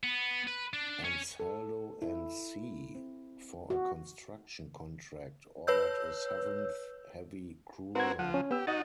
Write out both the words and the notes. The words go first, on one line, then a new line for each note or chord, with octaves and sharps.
Ansaldo and C. for a construction contract, ordered a seventh heavy cruiser.
B3
B4
D4
C#4
A4
E4
C4
F#4
B4 C#5 E6 G6
C4 F#4 A#4 B4 F#5 G#6
F3 F#5
C#4
B3 G4 E6
D#4 F#4 D#5 F#5 A6